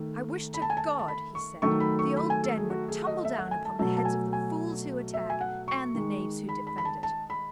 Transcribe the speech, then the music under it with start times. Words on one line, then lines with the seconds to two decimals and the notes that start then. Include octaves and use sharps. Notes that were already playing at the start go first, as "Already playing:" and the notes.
'I wish to God,' he said, 'the old den would tumble down upon the heads of the fools who attack and the knaves who defend it!
Already playing: D#3 A3
0.54 B5
0.62 A5
0.70 G#5
0.77 A5
0.99 A5
1.08 B5
1.35 C#6
1.62 D#3 F#3 A3 C#6
1.80 B5
1.99 C#6
2.17 B5
2.30 G#5
2.43 A4
2.57 G#4
2.70 F#4
2.88 G#4
3.07 D#5
3.25 E5
3.38 F#5
3.51 G#5
3.65 A5
3.79 B2 F#3 A3 A5
3.97 A5
4.05 G#5
4.33 G#5
5.14 E5
5.30 G#5
5.41 F#5
5.68 C#6
5.94 D#3 G#3
6.49 B5
6.67 B5
6.78 B5
6.85 A5
7.03 A5
7.30 B5